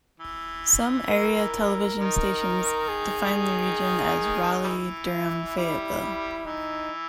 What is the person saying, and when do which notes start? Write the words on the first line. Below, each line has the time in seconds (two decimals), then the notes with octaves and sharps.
Some area television stations define the region as Raleigh-Durham-Fayetteville.
0.20 E3
1.10 A#4
1.99 D#3
2.89 G#4
4.64 G3
4.68 E3
5.13 E4
5.57 G3
6.46 E3 D#4